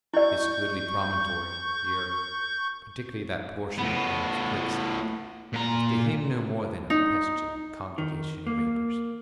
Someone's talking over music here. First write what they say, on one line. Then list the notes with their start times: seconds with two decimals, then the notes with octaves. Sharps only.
This goodly promontory, the earth--particularly that portion of it known as Quicksand--was to him no more than a pestilent congregation of vapours.
0.14 E4 D5 C#6 G6
3.78 A2 B3
5.53 A#2 A#5
6.90 D#4
7.98 D#3
8.47 A#3